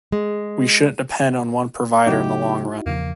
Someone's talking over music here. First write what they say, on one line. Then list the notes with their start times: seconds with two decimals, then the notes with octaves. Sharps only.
We shouldn’t depend on one provider in the long run.
0.12 G#3
2.06 C#3 F#3 B3 D#4 E4 F#4 G4
2.86 E2 C#3 F3 A#3